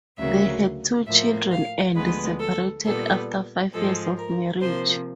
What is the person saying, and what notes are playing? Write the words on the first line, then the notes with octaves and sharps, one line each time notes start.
They had two children and separated after five years of marriage.
D2 C#3 F#3 A#3 E5
A2 F3 A#3 E5
F5
D2 D3 F3 G#3 B3 B4
A4
A#2 G3 B3 A4
G#2 F3 G#3 A4
A#4
C3 F3 A#3 C5